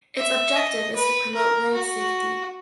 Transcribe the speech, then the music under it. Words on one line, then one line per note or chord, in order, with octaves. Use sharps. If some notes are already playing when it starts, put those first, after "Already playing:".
Its objective is to promote road safety.
E5
D#5
B4
A#4
F#4